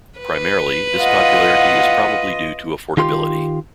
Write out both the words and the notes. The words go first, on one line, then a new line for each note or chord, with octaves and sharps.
Primarily, this popularity is probably due to affordability.
B4
F4 D#5 F5 F#5
D#3 F4 G4 C6